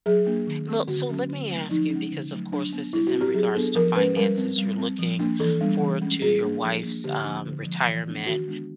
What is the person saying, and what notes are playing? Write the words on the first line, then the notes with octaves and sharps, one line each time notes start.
Le so let me ask you because, of course, this is in regards to finances, you're looking forward to your wife's, um, retirement.
F#3 G#4
A#3 D4
D#3
G#3 C4
D3 F#4
F#3 A#3 C#4
D3
F#3 A3 C4
F3 D#4
C#4
G#3
D3
F#3 A3
F#3 D4
B3 D4
G3 E4
F#4
C4
G4
F#3 G#4
B3 D4 A4
F3 A#4
G#3 C#4 B4
G3 A#4
C4
G3
C4
F3
A#3 D4
E3 A4
G3 B3 D4
E3
G#3 C#4
G3 G#4
A#3 D4
F3
A#3 D4
D3 G4
F3 A#3 D4
D3
F3 G#3
E3
G#3 B3 D4
D#3 F#4
G#3 B3 D4